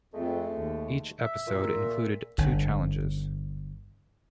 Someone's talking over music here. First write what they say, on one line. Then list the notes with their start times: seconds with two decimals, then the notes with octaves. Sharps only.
Each episode included two challenges.
0.14 F2 G#3 A3
0.52 D#2
1.19 E5
1.47 A#2
2.38 G1 D3